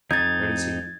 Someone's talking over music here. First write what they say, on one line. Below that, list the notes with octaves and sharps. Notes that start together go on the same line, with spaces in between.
"Where is he?"
F2 D#4 G#6 A6